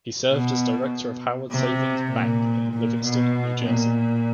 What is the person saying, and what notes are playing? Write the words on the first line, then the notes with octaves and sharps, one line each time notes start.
He served as director of Howard Savings Bank in Livingston, New Jersey.
B2
C3
A#2
A#2
B2
A#2